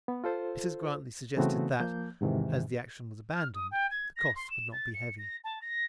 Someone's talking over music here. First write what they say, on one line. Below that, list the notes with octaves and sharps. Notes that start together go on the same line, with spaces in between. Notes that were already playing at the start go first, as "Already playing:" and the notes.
Mrs Grantly suggested that, as the action was abandoned, the costs would not be heavy.
B3
F4 A4 C5
C#3 E3 A3 B3 C4 F#4
F3 A#3 G6
E2 G#2 C3 D#3 E3
F6
D#6
G5
G#6
A#6
C6
E7
A6
C#7
A#6
A5
A#6